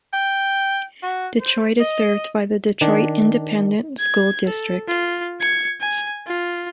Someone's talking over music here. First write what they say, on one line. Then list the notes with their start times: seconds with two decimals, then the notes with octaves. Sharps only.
Detroit is served by the Detroit Independent School District.
0.13 G5
1.03 F#4
1.40 C5
1.80 D#5
2.81 D#3 D4
3.99 G#6
4.46 A4
4.88 F4
5.40 G#6 C#7
5.80 G#5
6.27 F4